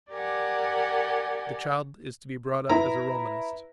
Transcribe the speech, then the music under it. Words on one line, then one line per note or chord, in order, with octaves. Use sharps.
The child is to be brought up as a Romanist.
G4 A#4 D5 F#5 G#5
E4 B4 A#5